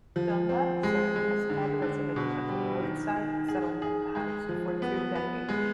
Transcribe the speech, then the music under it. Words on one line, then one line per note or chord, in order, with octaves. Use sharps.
Dunlap served as head resident of the Roadside Settlement House for two decades.
F3
C4
G#3
G#3
D3
D3
B2
G3
D#3
D#3
G#4
G#4
G#3
F3
B3
B3
G#3